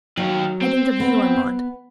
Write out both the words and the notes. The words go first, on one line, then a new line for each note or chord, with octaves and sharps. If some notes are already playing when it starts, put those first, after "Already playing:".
I think of you, Armand.
D#3 F#3 F5
C4
B3